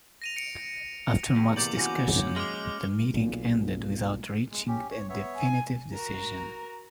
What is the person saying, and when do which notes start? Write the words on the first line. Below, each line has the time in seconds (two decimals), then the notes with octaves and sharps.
After much discussion, the meeting ended without reaching a definitive decision.
0.22 A#6 D#7 F7
0.36 C#7 D7
1.36 E2
1.56 C3 A#3 D5 D6 G6 F#7
1.77 C#4 E4 F#4
2.36 G#3 D6 F6
3.14 B1 A#2
4.51 G#3
4.68 C#4 G4
4.90 C#5
5.09 B3 C#5 E5
5.35 G#5
5.93 F#4 A#4 A#5